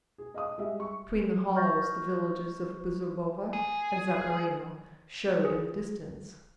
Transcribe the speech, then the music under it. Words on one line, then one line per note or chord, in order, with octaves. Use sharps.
Between the hollows the villages of Bezubova and Zakharino showed in the distance.
G#4
D#5 F5 D#6
G3 G#3 E5
C#6
D#5 C#6 F6 G6 A6 A#6
G#4
G#4